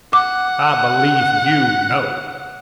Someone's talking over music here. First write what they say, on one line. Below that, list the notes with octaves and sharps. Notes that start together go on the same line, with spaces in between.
I believe you know.
F#5 D6